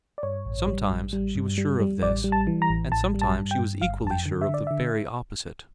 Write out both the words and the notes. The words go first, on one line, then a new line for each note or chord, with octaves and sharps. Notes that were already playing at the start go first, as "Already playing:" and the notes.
Sometimes she was sure of this, and sometimes she was equally sure of the very opposite.
D5
G2 C#5
A1
G3
A1
G3
G2
G3
G3
A1 D5
G3
A5
E3
A#5
A1
A1 A5
G3
A5
G2
G5
G2
G1 F5
F2 A5
G5
D3
E5
D3
D5
D3 E5